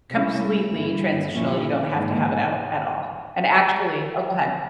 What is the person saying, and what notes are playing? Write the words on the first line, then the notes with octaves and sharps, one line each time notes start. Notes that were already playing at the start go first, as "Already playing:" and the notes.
completely transitional, you don't have to have it out at all, and actually Oh, go ahead.
C3 G3 C#4 E4
G2 E3 A#3 E4
A#2 F3 A#3 C#4 E4
G#2 E3 A#3